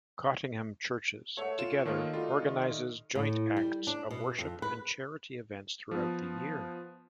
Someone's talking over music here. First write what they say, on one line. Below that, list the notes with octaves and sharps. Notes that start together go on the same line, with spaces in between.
Cottingham Churches Together organises joint acts of worship and charity events throughout the year.
A3 C#5 E5 F#5
F4 E7
D#3 A#3 F4 A4 D#5 F5
G3 A3 F4 F#4
D#3
A2
G3
D4
B2
F2
B4
F3 B3